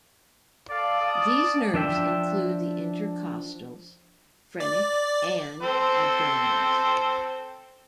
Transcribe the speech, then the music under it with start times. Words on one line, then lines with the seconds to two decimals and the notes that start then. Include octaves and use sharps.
These nerves include the intercostals, phrenic, and abdominals.
0.70 A4 D5 F5
1.01 F5 A5 D#6
1.74 F3 D4 E5 G5
4.60 D5
5.63 C4 A4 C5